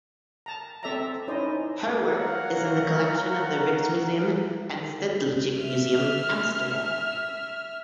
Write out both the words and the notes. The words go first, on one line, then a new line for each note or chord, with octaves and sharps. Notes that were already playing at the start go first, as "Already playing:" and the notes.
Her work is in the collection of the Rijksmuseum and the Stedelijk Museum Amsterdam.
A5 A#5
C4 A4 D5 E5 A5 A#5
C#4 D#4 E4 C5 D5 D#5
A#4 C#5 F5 F#5 A#5
E5 F6